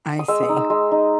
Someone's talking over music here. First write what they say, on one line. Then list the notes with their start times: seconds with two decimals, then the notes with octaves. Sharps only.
I see.
0.19 D#6
0.28 G#3 E6
0.43 D#6
0.49 D#4
0.57 E6
0.70 G#3
0.92 D#4